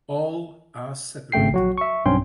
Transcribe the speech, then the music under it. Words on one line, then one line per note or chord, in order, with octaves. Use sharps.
All are separated.
G#1 C#3 A3 G5 C7
A#1 F#3 F#4
E5 C#6
B1 G2 C4 C#4 G5 C6